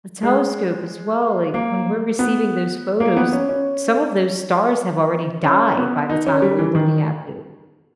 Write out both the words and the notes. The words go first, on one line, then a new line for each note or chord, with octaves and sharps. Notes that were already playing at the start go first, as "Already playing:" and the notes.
the telescope as well, like, when we're receiving those photos, some of those stars have already died by the time we're looking at those.
G#3
A#3
B3
A#3
B3
C#4
C#4
C#4
B3
D#4
C#4
G3
E3
D#3